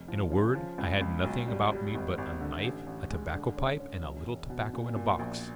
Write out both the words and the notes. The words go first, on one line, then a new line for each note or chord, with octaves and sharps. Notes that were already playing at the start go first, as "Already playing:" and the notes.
In a word, I had nothing about me but a knife, a tobacco-pipe, and a little tobacco in a box.
Already playing: F1
F3
C#3
F3
C#2
C#2
B1
G3
G3
G#1
G#1
D3
A1
A1
G#3
D3
C#4
C#4
E1
E1
B2
A#2
A#2
A#1